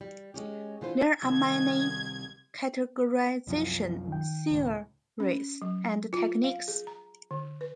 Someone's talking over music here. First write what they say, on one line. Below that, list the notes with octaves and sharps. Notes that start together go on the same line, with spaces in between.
There are many categorization theories and techniques.
G3
G#3 C#4 G4
D3 E3 F4 C5
C2 D#3 G#6
C2 F#2 F3
D#3 G5
C#2 A2
C#4
F#3
F4
F5
G#4
A#5
D3
B4